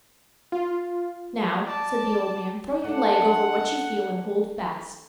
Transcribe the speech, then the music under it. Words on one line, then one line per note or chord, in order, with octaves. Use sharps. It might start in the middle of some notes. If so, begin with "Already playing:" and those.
"Now," said the old man, "throw your leg over what you feel and hold fast."
F4
D5 A5
A3 D4 F#5